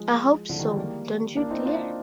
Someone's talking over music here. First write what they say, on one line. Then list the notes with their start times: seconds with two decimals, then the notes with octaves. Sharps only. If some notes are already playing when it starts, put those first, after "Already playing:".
I hope so; don't you, dear?
Already playing: F3 G#3
0.49 D3 F3
0.59 D#3 G3
0.68 F3 G#3
0.77 G3 A#3
1.37 A#3 D4
1.51 C4 D#4
1.66 D4 F4